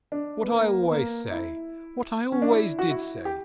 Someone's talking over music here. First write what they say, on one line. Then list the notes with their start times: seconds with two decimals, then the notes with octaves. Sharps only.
'What I always say; what I always did say!
0.12 D4
0.42 B3
0.51 A#3
0.82 B3
0.91 A#3
1.31 E4
2.32 C#4
2.42 D4
2.51 E4
2.79 F#4
2.91 E4
3.25 G4